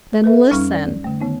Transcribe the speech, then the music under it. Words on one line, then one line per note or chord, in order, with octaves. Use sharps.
"Then, listen!"
A4 B4 E5
F2 G3 C#4 D#4 C#6 F6
D5
D3 A3
D#3 B3 D#4